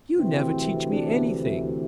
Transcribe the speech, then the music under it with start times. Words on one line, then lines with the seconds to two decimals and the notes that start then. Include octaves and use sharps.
"You never teach me anything."
0.16 D2 C3 E3 C4
0.90 D4